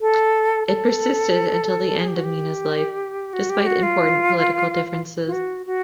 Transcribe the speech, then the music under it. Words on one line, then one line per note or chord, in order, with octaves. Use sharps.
It persisted until the end of Mena's life despite important political differences.
A4
A4
G#4
G4
F#4
G4
F#4
G4
F#4
F4
F4
F#4
F#4